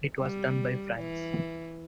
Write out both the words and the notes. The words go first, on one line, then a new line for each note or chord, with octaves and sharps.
It was done by France.
G3
E3